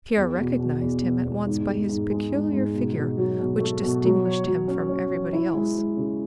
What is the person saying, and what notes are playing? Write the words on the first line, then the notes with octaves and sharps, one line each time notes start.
Pierre recognized him at once by his peculiar figure, which distinguished him from everybody else.
E2
B2
B2
E2
B2
E2
G#2
G#2
G#2
G#3
G#3
G#2
B2
B2
F#3
B2
A3
B2
F#3
C#5
F#3
C#4
C#4
C#5
E4
G#3
G#3
C#3